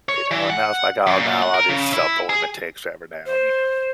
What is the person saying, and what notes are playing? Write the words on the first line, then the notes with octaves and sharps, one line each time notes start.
you know, and now it's like, "Oh, no, I'll just I'll throw him a text every now and then."
C#5
E3
F#5
F#2
A#2
F#5
A#4
C#3
E4
G#4
C5